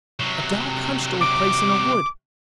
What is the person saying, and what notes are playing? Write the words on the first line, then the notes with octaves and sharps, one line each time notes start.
A dark hunched old place in a wood.
C3 F#3
D6